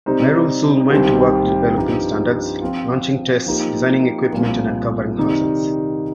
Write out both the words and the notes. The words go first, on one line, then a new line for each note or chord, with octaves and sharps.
Merrill soon went to work developing standards, launching tests, designing equipment and uncovering hazards.
C3 G3 D#4 C5
C2 C3 D#3 C4 G4
G2 F3 D#4 G4
F3 C4 F4
F3 A#3 D#4 G4
C2 A#2 F3 A#3
C3 D#3 G3 D#4